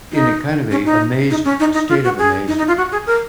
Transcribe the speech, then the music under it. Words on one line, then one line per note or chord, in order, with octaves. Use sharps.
in a kind of a amazement, a state of amazement,
D#4
C#4
D#4
D#4
C#4
D#4
D#4
F4
F#4
G#4
D#4
D#4
F4
F#4
G#4
A#4